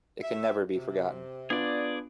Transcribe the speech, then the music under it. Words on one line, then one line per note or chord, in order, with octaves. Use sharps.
It never can be forgotten.
E5
C3
B3 D4 F4 G#4 D5